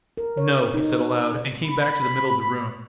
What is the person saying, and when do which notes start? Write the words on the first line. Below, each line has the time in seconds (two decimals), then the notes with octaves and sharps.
"No," he said aloud, and came back to the middle of the room.
0.17 A#4
0.37 C#5
0.74 D#4
1.64 B5